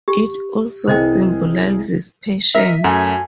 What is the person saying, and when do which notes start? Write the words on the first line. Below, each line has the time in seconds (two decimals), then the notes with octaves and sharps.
It also symbolizes patience.
0.08 G4
0.87 C2 E3 G#4 C5 D#5 G5
2.55 A#4 D#5 E5 B6
2.84 F#2 A3 F#4 G#5